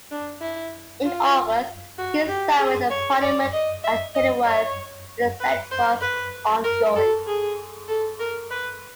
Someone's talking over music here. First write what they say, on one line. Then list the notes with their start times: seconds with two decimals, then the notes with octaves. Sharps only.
In August, the king summoned a parliament at Kenilworth, where the siege was ongoing.
0.11 D4
0.41 E4
1.04 F4
1.98 F#4
2.28 G4
2.59 G#4
2.90 C#5
3.21 D5
3.53 D#5
3.83 E5
4.15 D#5
4.46 C#5
5.40 B4
5.71 C5
6.01 B4
6.64 A#4
6.96 A4
7.27 G#4
7.88 A4
8.19 A#4
8.50 B4